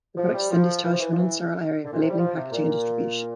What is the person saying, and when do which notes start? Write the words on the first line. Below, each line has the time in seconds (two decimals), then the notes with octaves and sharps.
The product is then discharged to a non-sterile area for labeling, packaging and distribution.
0.17 F3
0.34 G3
0.51 F3
0.84 E3
0.92 F3
1.00 E3
1.13 F3
1.18 E3
1.85 D3
1.93 A#2
2.02 C3
2.10 G3
2.19 F3
2.35 C3
2.52 A#2